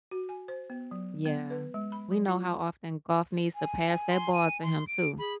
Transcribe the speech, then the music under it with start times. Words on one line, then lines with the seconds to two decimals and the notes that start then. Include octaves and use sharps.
Yeah. We know how often Goff needs to pass that ball to him, too.
0.11 F#4
0.29 G#5
0.48 C5
0.70 B3
0.91 F#3
1.26 B3
1.50 B4
1.74 G#3
1.92 B5
2.12 F#3
2.28 F4
3.55 G#5
4.11 C6
4.33 D#7
4.63 C6
4.87 D7
5.18 G#4 B5